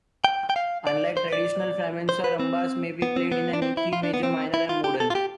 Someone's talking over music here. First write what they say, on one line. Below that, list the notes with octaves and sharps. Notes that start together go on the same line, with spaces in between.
Unlike traditional flamenco, rumbas may be played in any key, major, minor and modal.
G5
G5
F5
D5
C5
D5
C5
B4
C4
B3
C4
B3
D4
C4
E4
F4
D4
B3
C4
E4
F4
G4
A4
F4
G4